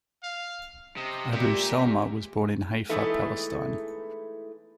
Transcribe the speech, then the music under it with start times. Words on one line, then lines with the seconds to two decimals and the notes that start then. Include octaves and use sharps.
Abu Salma was born in Haifa, Palestine.
0.23 F5
0.97 C3 D#5
1.32 A#2 G3 G4 E5
2.89 E3 G#3 A3 B3 D#4 E4